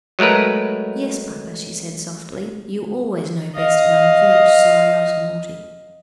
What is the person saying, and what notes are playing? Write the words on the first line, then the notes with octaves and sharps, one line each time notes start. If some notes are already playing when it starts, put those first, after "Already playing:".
"Yes, papa," she said softly; "you always know best, and I am very sorry I was naughty."
F#3 G#3 A3 A#4 B4
D#5 F5